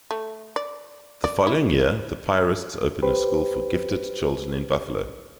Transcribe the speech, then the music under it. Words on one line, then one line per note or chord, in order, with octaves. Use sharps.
The following year, the Piarists opened a School for Gifted Children in Buffalo.
A3
D5
D5
E4
G4 B4 C5